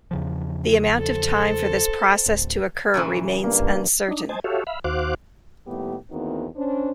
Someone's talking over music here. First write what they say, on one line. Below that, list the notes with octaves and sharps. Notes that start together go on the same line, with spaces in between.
The amount of time for this process to occur remains uncertain.
E2 C#3 F3
A4 C5
D1
A#2 C#3 E3
G2 A#3
D4 D#4
C5 D#5 G#5 A5
F#4 G4 A4 C#5 E5 F5
E5 F5 B5
D#2 F#4 C5 F5 D6 F#6
A2 D#3 G3 A#3 B3 G4
E2 D#3 A#3 C4 D#4 F#4
C#4 D4 C5